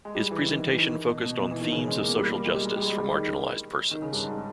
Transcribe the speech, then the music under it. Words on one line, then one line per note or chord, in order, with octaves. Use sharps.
His presentation focused on themes of social justice for marginalized persons.
G#3
G3
E3
D#3
E3
D#3
B2
B2
B2
E3
D#3
C#3
G#3
A#3
G3
A#3
G#3
G3
G#3
G3
G#3
G3
D#3
D#3
C#3
G2
G#2